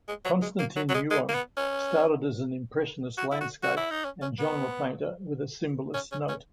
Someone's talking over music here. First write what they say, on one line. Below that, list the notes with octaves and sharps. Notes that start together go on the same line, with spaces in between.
Konstantin Yuon started as an Impressionist landscape and genre painter with a Symbolist note.
G#3
F#3
G#3
A#3
F#3
F#3
G#3
G#3
A#3
B3
C#4
F#4
E4
F#4
F#4
E4
D#4
C#4
C#4
B3
C#4
C#4
C#4